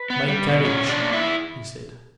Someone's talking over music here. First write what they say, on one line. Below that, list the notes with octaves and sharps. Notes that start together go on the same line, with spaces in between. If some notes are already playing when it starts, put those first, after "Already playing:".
"My carriage!" he said.
Already playing: B4
B3
G3
B2
E2 C#4 C#5
B2
D4 D5
A#3
E4 E5
E2